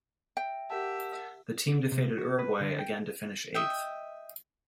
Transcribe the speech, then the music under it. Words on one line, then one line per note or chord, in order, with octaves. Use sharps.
The team defeated Uruguay again to finish eighth.
E5 G5
G4 A#4 E5 F#5 A5
C3
F#4
B4
D3
G5
D#5 E5 G5